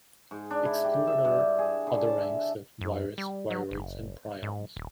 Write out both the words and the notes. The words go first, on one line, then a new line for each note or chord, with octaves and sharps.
Excluded are other ranks of virus, viroids and prions.
G#2
D4
E4
G4
E5
G2
G#4
D3
A5
E5
F#2
G3
F#3
F#1
G#2
D#1